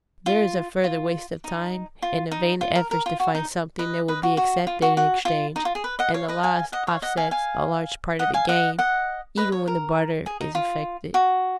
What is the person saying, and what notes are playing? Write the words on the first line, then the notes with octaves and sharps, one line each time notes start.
There is a further waste of time and of vain efforts to find something that will be accepted in exchange, and the loss offsets a large part of the gain even when the barter is effected.
F4
F4
D#4
F4
D#4
F4
A#4
A#4
F4
F#4
D#4
B4 D#5
B4 D#5
F#4
F#4
F4
F#4
F#4
F4
D#4
F4
G#4
B4
D#5 F#5
C#5 F5
B4 D#5
F5 G#5
D#5 F#5
C#5 F5
D#5 F#5
F5 G#5
F5 G#5
D#5 F#5
F5 G#5
D#5 F#5
D#5 F#5
B4 D#5
C#5
A#4
G#4
D#4
F4
F#4